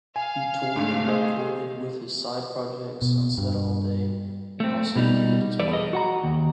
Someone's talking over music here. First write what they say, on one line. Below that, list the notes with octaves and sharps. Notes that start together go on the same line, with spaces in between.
He toured and recorded with his side project, "sunsetsallday" and also married his partner.
F5 G#5
G#2 D3 A3
G#4 C5 D#5
B2
G2
A3 C4
B2 G3 D#4
E2 A4 B4 D5
G#4 A#4 D#5
F#4 F#5 A#5
D#2